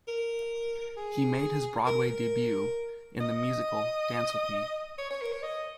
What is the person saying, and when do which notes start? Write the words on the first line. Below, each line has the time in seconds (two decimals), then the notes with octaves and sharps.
He made his Broadway debut in the musical "Dance with Me".
0.08 A#4
0.97 G#4
1.87 A#4
2.08 A#4
3.21 D#5
4.98 C#5
5.11 C#5
5.22 A#4
5.32 C#5
5.43 D#5